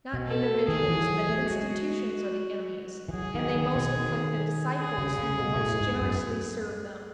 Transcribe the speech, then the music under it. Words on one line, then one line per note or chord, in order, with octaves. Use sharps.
Not individuals but institutions are the enemies, and they most afflict the disciples who the most generously serve them.
B2
A4
D#3 G#4
E3
F#3
A3
G#3 F#4
E3
F#3 G#4
D#3
D#3
B2
D#3
G#4
C#3
C#3
B2
B2
A2
G#2
F#2